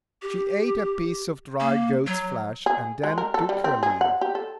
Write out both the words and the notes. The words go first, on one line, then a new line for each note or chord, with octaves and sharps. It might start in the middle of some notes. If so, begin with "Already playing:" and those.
She ate a piece of dry goat's flesh, and then took her leave.
G4
A#3
F#3
G#4
G#3
A#4
A4
G3
C4
G#4
F#5
G4
A4